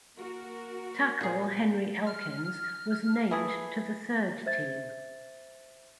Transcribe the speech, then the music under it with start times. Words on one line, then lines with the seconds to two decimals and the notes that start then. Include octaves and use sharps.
Tackle Henry Elkins was named to the third team.
0.17 A#3 F#4 A#4
1.21 A#2 G#4
2.07 F6
3.31 E3 A3 G#4
4.46 C5 E5 G#6 A6